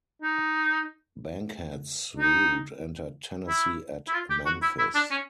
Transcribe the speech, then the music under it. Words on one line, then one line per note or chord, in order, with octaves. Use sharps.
Bankhead's route entered Tennessee at Memphis.
D#4
D#4
E4
E4
F4
G4
F#4
E4
E4
D4
C#4